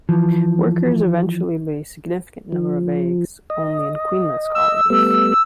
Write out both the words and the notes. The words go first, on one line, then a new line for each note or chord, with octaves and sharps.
Workers eventually lay significant numbers of eggs only in queenless colonies.
E3 F3
F3
D#5
E6
G3 A3 B3